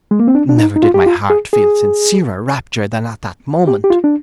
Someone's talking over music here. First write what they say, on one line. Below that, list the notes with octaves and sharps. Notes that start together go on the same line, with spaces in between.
Never did my heart feel sincerer rapture than at that moment.
G#3
A#3
C4
D4
D4
D#4
D#4
F4
G4
F4
G#4
G#4
G4
G4
F4
D4